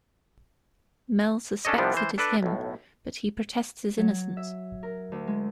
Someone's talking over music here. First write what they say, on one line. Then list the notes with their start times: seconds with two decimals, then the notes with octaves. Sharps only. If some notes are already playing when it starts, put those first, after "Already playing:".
Mel suspects it is him but he protests his innocence.
1.65 C#4 D4 A4 C#5 D#5
1.78 C2 C3 F3 G3 B3 D4
1.94 E3 C5
2.18 D4 A4 B4 D5
2.43 B1 A2
3.97 F#3
4.37 E5
4.83 A#4
5.12 D2
5.27 G#3